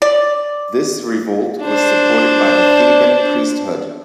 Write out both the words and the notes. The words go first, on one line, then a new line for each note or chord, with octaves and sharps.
This revolt was supported by the Theban priesthood.
D5
D4 C5